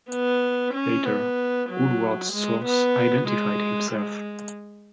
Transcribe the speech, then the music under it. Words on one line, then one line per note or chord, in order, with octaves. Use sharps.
Later, Woodward's source identified himself.
B3
C#4
B3
F#3
G#3
B3
G#3
G#3